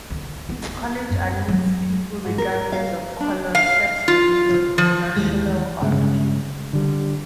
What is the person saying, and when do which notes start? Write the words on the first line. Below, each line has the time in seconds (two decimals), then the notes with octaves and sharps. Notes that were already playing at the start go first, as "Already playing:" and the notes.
The College admits people regardless of color, sex, religion, or national origin.
0.10 D2
0.49 B3
1.10 F#2
1.48 F#3
2.25 G#2
2.38 A#4
2.72 F5
3.20 D4
3.55 F5
4.08 F4
4.78 F3
5.16 D#2 E3 G3 G#3
5.81 G2 C#3 G#3
6.73 D3 G3